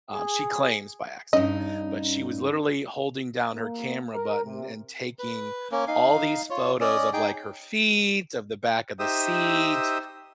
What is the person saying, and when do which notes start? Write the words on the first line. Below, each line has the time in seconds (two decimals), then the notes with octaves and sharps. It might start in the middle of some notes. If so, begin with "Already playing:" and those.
Um, she claims "by accident," but she was literally holding down her camera button, and taking all these photos of, like, her feet, of the back of the seat,
0.14 G#4
1.33 G2 C#4 D#4 D#5
3.53 A#3
4.14 A#4
4.45 C3
5.19 B4
5.71 A#3 C#4
5.88 D#4 F5
6.50 F4 C#5
6.80 C#4 D5 D#5
7.13 D#4 G#4 G5
8.99 D#4 G4 C5 E5 D#6 E6